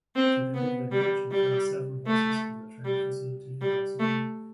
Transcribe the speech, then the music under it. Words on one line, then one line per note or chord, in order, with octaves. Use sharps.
Together they manage and train several horses at their training facility in Barcelona.
C4
B3
G3
G3
A3
G3
G3
A3